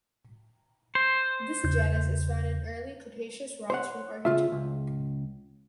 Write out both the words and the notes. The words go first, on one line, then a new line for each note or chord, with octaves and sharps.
This genus is found in Early Cretaceous rocks from Argentina.
C5
E2 C#3 G6
C5 C#5 F#5
C#3 F4 E5
C#2